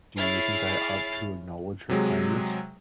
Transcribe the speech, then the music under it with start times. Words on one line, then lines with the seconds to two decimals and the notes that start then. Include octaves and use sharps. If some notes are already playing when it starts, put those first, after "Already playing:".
Do you think I ought to acknowledge her kindness?
0.17 E4 G#4 C#5 F6 A6 C7
1.89 C3 F#3 G#3